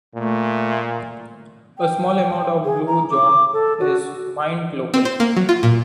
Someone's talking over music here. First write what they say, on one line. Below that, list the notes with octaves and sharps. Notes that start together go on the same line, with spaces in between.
A small amount of Blue John is mined locally.
A#2 A3
G5
G#4
A#5
D6
A4
F#4
C4
C5
A#3
F#3
F4
A#2